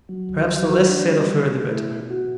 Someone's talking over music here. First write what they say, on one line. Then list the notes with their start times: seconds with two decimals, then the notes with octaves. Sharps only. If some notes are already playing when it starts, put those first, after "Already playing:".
Perhaps the less said of her the better.
0.09 F#3
0.29 D2
0.49 F#3
0.69 F#4
0.89 D4
1.09 G3
1.30 D3
1.50 A3
1.70 E4
1.90 B2
2.10 F#4